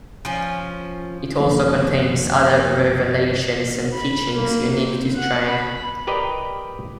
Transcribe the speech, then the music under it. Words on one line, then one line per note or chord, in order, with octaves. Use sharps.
It also contains other revelations and teachings unique to Strang.
F3 C#4
F#1 D#3 F3 A#3
B5
A#3
C4
F#5
B5
G4 A#4 B4 D5 D#5 G5